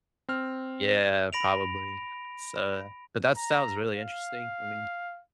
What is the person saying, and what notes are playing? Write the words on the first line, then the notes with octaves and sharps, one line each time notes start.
Yeah, probably s uh, but that sounds really interesting, I mean.
C4 F6
B5 A#6 D7 F7
A#5
F5